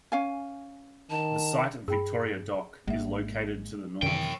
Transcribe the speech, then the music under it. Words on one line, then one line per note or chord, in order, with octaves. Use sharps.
The site of Victoria Dock is located to the north.
C#4 F5 G#5
D#3 A5
G2 G#4 G5 B5
G#1 G#2 G#3 A#3 E5
F#2 C3 D#3 E3 C#5 G5